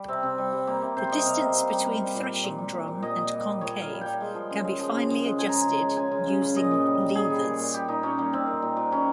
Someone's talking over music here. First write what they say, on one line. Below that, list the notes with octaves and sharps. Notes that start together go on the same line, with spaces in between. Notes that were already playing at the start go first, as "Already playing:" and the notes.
The distance between threshing drum and concave can be finely adjusted using levers.
Already playing: G3
C3 C4
C3
G3
G3
G3 A#3
C3
C3 C5
G3 D#5
C3 F5
C3
C3
G3
G3
G3
A#2
G3
A#2
G3
A#2
A#2
A#2 D#5
A#2
G3
G3
A#2 C#5
G3
F5
G3
G3 G5
G#3
F3
C#3
G#3
F3
C#3
C#3
G#3
F3 G#5
G#3 A#5
G#5
C#3
G#3
C#3 G#5
C#3
C#3
C#3
A#2 D#5
A#2
G3
A#2
G3 G#4
G3
A#2
A#2
G3 G4
A#2 D#4
A#2 C#4
G3 A#3
A#2 C4
A#2
A#2
A#2
G3 C#4